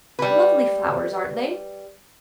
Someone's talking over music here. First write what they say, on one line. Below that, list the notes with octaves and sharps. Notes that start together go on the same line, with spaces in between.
Lovely flowers, aren't they?
G3 B4